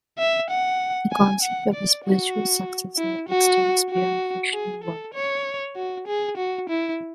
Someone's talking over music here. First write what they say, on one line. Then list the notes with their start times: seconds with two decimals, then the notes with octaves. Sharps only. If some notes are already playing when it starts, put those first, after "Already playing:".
The concept of a "spiritual successor" extends beyond fictional works.
0.18 E5
0.50 F#5
1.11 G#5
1.42 F#5
1.73 D5
2.04 F#4
2.97 E4
3.28 F#4
3.90 F#4
4.52 G#4
4.83 A4
5.14 C#5
5.76 F#4
6.07 G#4
6.37 F#4
6.69 E4